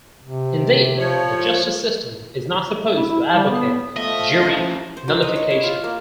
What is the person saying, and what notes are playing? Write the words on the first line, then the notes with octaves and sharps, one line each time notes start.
Indeed, the justice system is not supposed to advocate jury nullification.
C3
F3 C#5
E4
G3
B3
F3 A3 D#5 E5
C#4 E4
C5
F#3
D#5
C#5
E4
F4
A#3